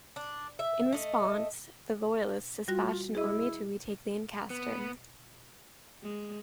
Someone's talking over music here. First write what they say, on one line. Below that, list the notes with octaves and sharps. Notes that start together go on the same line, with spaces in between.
In response, the Royalists dispatched an army to retake Lancaster.
D4
E5
A3 D#5
G3 F4 F#4 A#6
E4 G#4 D#5
B3
G#3